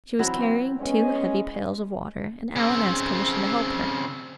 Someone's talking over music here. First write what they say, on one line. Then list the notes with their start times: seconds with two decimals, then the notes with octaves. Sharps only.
She was carrying two heavy pails of water and Alan asked permission to help her.
0.19 E3 F#3 C4 E4
0.80 G#3 B3 C#4
2.56 C#3 C4